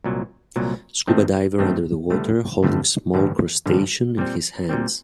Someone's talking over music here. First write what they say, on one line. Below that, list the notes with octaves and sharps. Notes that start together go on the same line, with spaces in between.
Scuba diver under the water holding small crustacean in his hands.
C2 A#2 F#3
C2 A#2 F#3
G2 D#3 A3 C4
G2 D#3 A3 C4
G1 G2 D3 A3
G1 G2 D3 A3
A1 G2 D3
A1 G2 D3
A#2 G3 C4
A#2 G3 C4